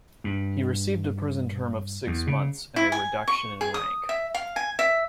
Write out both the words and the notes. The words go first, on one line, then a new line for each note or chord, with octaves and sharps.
He received a prison term of six months and a reduction in rank.
G2
E2
C#3
E4
G#5
C#6
G#4
D#6
E5
F5
G#5
E5